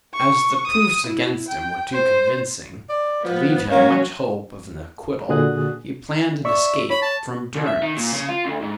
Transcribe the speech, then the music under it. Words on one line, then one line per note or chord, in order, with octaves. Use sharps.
As the proofs against him were too convincing to leave him much hope of an acquittal, he planned an escape from durance.
C#6
D#6
E4
G5
C5
D5
F3 B3
F#3 A#3 C#4
A#2 D3 F#4 G#4 D#6 F#6
D5 E5 C#6
C#5 B5
A5
C2
E5
D#3
A#2
C#3
F4
D2
G#2